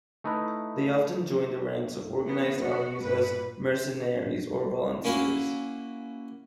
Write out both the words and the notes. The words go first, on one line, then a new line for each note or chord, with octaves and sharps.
They often joined the ranks of organized armies as mercenaries or volunteers.
A3 D#4 E4 B4
E3 B3
B3 F#4
G2 A#2 B4
A#3 C#4 E4 F#4 F5